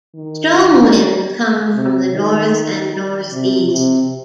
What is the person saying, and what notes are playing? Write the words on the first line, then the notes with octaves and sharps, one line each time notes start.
Strong winds come from the north and northeast.
D#3
C3
D#3
C3
C3